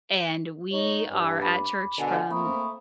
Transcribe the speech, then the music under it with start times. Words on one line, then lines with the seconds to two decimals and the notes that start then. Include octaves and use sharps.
and we are at church from
0.73 D#4 C#5
1.10 G2
1.42 B5 D6
1.99 G#2 B2 D3 F#5 G#5
2.31 A3 A#3 C4 B5 C#6 D#6